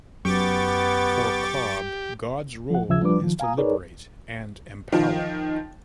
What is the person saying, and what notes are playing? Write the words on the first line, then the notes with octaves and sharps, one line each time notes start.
For Cobb, God's role is to liberate and empower.
F#2 B3 G4 C#6 D6 A6
F3 F#5
D#2 C#3 F3 E5 E6 G#6
F3 G3 D4 B4 D6
D#3 F3
F5 G#5 A#5 D#6
D#4 G#4 A#4 B4 C#5 D5
D#3 F3